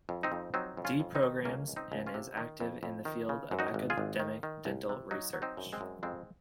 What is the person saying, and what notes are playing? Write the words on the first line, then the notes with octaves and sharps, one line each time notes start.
D programs, and is active in the field of academic dental research.
F2
C4 D#4
F2
F#3 C4 D#4
F2
C#4 F4
F2
C4 D#4
D#3
C#2 A#3 C#4
C#2
C4 D#4
C#2
C#4 F4
C3
D#3
F2
F2
D#3
C#3
F#2
D#4 F#4
G#1
F4 G#4
G#1
D#3
D#3
C2
C3
F#3 D#4 F#4
F#3
C4 D#4
F#2
G#3 C4
F#2
F2 G#3 C4